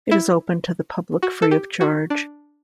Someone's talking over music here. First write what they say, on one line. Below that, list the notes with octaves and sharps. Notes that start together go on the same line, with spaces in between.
It is open to the public free of charge.
E4
F#4
A4
G4
F#4
D4